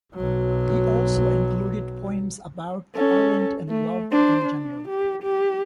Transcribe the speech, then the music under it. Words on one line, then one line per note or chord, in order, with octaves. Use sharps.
He also included poems about the island and love in general.
B1 F#3
C#4 A4
A3
D4 C5
D4
G4
G4